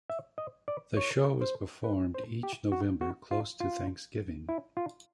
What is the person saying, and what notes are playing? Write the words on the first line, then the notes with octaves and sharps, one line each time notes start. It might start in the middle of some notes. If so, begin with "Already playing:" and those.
The show is performed each November close to Thanksgiving.
E5
D#5
D5
C#5
C5
B4
C5
G4
F#4
F#4
F4
F4
E4
F4